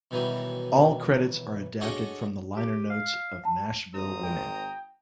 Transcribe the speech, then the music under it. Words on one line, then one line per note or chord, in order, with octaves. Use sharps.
All credits are adapted from the liner notes of "Nashville Women".
B2 D#3 E3 F#3 G3
D4 F#4 G#4 A4 C#5 D#5
G4
F5
F#5 A5
G#1 C5 A#5 D#6
G5